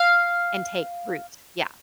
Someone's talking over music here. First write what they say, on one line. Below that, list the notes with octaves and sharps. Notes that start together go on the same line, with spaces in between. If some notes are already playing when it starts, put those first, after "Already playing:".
and take root. Yeah.
Already playing: F5